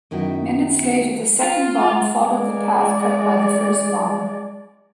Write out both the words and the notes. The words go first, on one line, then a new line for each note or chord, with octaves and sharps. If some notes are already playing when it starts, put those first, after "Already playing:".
Minutes later the second bomb followed the path cut by the first bomb.
F#2 D#3 B3 E4 F#4 G5
F4
G#3 D5